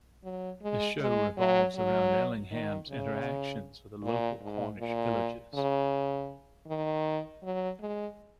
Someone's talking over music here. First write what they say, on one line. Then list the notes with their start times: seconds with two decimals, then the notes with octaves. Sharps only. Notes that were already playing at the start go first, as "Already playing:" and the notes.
The show revolves around Ellingham's interactions with the local Cornish villagers.
0.24 F#3
0.62 G#3
1.00 G#3
1.38 F#3
1.76 F#3
2.51 D#3
2.90 C#3
4.03 A#2
4.41 G#2
4.78 A#2
5.55 C#3
6.68 D#3
7.43 F#3
7.80 G#3